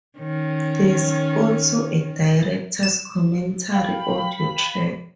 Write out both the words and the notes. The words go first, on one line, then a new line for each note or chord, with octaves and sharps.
There is also a director's commentary audio track.
D#3 C#4
E7
F5 G5 B5